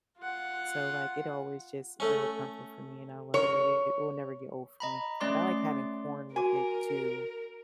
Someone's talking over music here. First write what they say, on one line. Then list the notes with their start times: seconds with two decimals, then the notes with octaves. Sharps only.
so, like, it always just real comfort for me, and I love it, it will never get old for me, but I like having corn with it too.
0.18 F4 F#5
2.00 A3 C#4
3.34 A#4 C#5
4.80 D#5 A#5 B5
5.20 A3 C#4 D5 C6 D6
6.36 F#4 A#4 G#5 D6